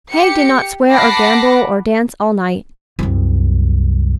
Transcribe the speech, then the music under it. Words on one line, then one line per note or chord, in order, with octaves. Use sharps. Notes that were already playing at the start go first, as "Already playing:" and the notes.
Haig did not swear or gamble or dance all night.
G4 C#7
F#5 A5 B5 D6 A#6 C7
C2 F#2